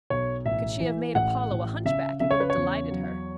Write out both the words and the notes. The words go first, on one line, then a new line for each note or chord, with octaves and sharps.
Could she have made Apollo a hunchback, it would have delighted her.
B1 C#5
A1 E5
E3
A1 F#5
A1
C#3 E5
C#3 E5
C#5
B4
C#5
E2
F#3